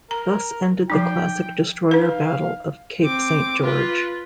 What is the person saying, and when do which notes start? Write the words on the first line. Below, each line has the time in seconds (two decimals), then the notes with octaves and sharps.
Thus ended the classic destroyer battle of Cape Saint George.
0.11 A#4 A#5
0.90 F3 F#3 D#4 G5
1.91 D#4 B4 F5
3.01 C4 D6
3.62 F4 B4